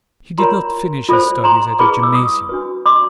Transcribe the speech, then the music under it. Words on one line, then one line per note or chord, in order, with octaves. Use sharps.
He did not finish his studies at the gymnasium.
F4 A#4 C#5 A#5 C6
F4 A4 C5
A#5 C6
E4 G#4 B4 B5 C#6
D6 E6
C#6 D#6
D4 F#4 B4
C6 D6